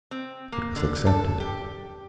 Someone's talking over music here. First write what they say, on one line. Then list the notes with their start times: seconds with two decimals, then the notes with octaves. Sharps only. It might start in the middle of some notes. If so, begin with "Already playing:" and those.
It was accepted.
0.11 C4
0.52 A#3
0.76 D3
1.06 A4
1.40 G4